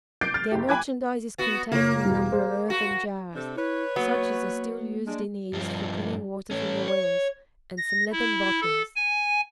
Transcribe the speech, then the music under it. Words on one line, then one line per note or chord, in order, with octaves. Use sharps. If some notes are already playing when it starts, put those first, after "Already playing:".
Their merchandise is contained in a number of earthen jars, such as are still used in the East for bringing water from the wells, and some leathern bottles.
D6 G6 A6 C7 D7
F6 A6
F#1 G4
G5 G#5 B5 D6 F#6 G#6
B3 F#4
F#1 A#3 F4 C#5
E1 B2 G3
G#4 C5
F#4
C3 D4 A4
E4 B4 C#5
F#3 A#3 B3
G#3 D4
G2 F3
A3 C#4
C#5
A#6
E4
A4
G#5